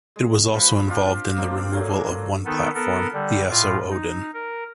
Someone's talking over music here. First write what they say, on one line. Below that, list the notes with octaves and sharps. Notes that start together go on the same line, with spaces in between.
It was also involved in the removal of one platform, the Esso Odin.
G#3
F3 B4
C4 D4 F4 G4
A#3 C4 D4 F5
A#2 F#3 A3 A#3
D#3 B3 D#4 A4
B3 A4 A#4
D3 G3
A2 F4
D#4
A#4